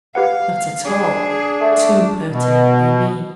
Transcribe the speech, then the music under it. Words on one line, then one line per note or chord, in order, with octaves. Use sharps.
'Not at all--too pertinent, you mean.
G4 B4 F5 F#5
D4 G#4
A3
B2